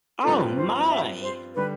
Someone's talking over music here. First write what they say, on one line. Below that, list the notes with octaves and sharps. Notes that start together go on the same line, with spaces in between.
Oh my!
G2 F3 C4 F4 A4 B4
C5
E5
C5
D3 G3 B4